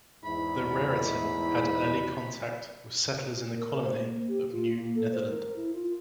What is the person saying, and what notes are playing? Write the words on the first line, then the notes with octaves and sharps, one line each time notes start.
The Raritan had early contact with settlers in the colony of New Netherland.
E2 G#2 E4 B5
A#4
C5
A#3
G4
F4
A#3
A4
C5
A#4
E4
F4